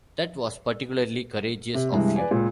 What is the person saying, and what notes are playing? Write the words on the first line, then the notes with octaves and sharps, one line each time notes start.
That was particularly courageous of you.
C3
G2 C3 E3 G#3
B4 D5 G#5
C#2 A#2